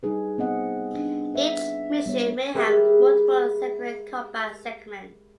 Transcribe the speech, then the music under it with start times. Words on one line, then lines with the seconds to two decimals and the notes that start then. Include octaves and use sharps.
Each mission may have multiple separate combat segments.
0.03 G3 D#4 G#4 B4
0.38 B3 C4 D#5 F#5
0.95 D4
1.34 B4 E5
2.06 G3 B3 C#5
2.54 G#3 G4 G#4 A#4 B4 E5